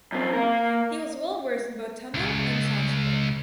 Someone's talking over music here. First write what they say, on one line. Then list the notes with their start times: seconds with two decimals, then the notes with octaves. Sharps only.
He was well versed in both Tamil and Sanskrit.
0.13 F#2 C4
0.33 A#3 A#4
2.14 C#2